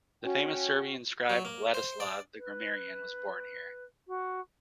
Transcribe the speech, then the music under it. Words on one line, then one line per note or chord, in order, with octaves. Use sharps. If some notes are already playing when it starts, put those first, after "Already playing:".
The famous Serbian scribe Vladislav the Grammarian was born here.
C#4 F#4 G5
F#3
A#3
C5
D5
B4
F#4